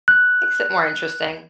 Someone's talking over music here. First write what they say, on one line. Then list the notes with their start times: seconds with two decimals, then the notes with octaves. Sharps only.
makes it more interesting.
0.08 F#6